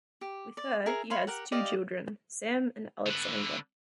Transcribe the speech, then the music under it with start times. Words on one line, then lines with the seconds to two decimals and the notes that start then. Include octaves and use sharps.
With her, he has two children, Sam and Alexandra.
0.21 G4
0.57 D5
0.86 G#4 A#4 E5
1.10 C#5 F5 B5 C6
1.27 G4 A#4 F#5
1.52 G4 D5 D#5 F5
3.06 D3 B4